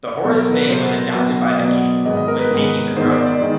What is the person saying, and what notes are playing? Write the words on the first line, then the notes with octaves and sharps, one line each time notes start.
The Horus name was adopted by the king, when taking the throne.
B2 F#3 B3 A4
A#4
B4
B2 F#3 B3 C5
B2 F#3 B3
D#5
B2 F#3 B3 D5
G#2 D#3 G#3 B3 D#5
D#5
A#4
B4
G#2 D#3 G#3 B3
G#2 D#3 G#3 B3 C5
D#5
D5
D5
D#3 G#3 B3 D#5